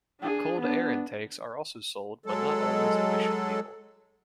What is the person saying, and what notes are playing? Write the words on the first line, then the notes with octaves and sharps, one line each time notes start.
Cold air intakes are also sold but not always emission legal.
D4 G#4
B3 D4
F#3 G#3 A4